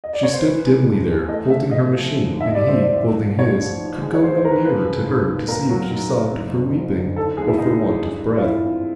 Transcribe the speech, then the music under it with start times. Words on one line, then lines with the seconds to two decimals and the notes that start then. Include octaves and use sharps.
She stood dimly there, holding her machine, and he, holding his, could go no nearer to her to see if she sobbed for weeping or for want of breath.
0.04 D#5
0.13 D5
0.23 C#5
0.34 C5
0.44 E3 B4
0.66 G#3
0.87 F2
1.07 E3
1.28 A3 D#5
1.50 A3 E5
1.71 F3 D#5
1.92 F3
2.12 D3
2.33 D#2
2.41 E5
2.47 D#5
2.55 G3 D5
2.68 C5
2.76 D#2
2.82 D5
2.96 A1
3.18 F3
3.38 A1 C#5
3.60 F3
3.80 D#3
4.02 G#3
4.14 C#5
4.23 D#3 C5
4.37 C5
4.43 D#3 A#4
4.51 B4
4.65 F3 B4
4.86 C#3
5.07 D#2
5.28 D#2
5.48 A#2 A#4
5.69 F#3
5.91 B1
6.12 B1
6.32 F#1
6.54 D3
6.75 F#1
6.95 D3
7.16 D#2 A4
7.37 D#2 G#4
7.48 E4
7.58 G#3 D#4
7.80 G#3
8.01 G2
8.21 E3
8.38 F4
8.42 G2 E4
8.63 G#1